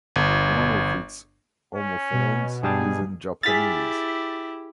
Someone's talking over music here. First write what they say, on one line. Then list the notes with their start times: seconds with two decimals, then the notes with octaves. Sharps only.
One of its homophones is in Japanese.
0.16 G1
1.75 C#4
2.12 B2
2.63 G2 G3 G#4 A5
3.43 E4 G4 G#4 G5 F6 A6 B6